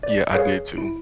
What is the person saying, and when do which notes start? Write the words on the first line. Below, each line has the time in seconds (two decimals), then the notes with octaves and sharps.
Yeah, I did too.
0.03 D5
0.35 G#4 B4 C#5 F5
0.77 E4 D7